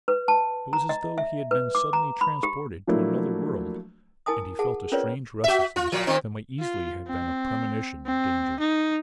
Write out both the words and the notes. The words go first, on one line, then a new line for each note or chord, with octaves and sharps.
It was as though he had been suddenly transported to another world and he felt a strange restlessness that might easily have been a premonition of danger.
B4
A5
A#5
D#5
E5
B4
D6
A#5
B5
G4
F3 F#3 A3 A#3 D4 E4
E4 A#4 G#5 A5 D#6
G#4 F#5 A5
C#4 F4 A#4 B4 C#5 D5
F#4 E5
F4
A#2 F3
A#2 D#3 C4
F4
C4
C4
D#4